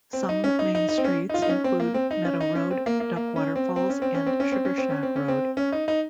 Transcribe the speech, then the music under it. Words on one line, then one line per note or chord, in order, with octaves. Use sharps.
Some main streets include "Meadow Road", "Duckwater Falls", and "Sugarshack Road".
C4
D#4
C#4
D#4
D#4
D#4
C4
C#4
D#4
F4
D#4
C#4
C4
A#3
C4
D#4
C#4
D#4
C#4
C4
A#3
A#3
A#3
C#4
C4
C4
C#4
C4
C#4
C4
C#4
C4
C#4
C4
C#4
C4
C#4
C4
C#4
D#4
D#4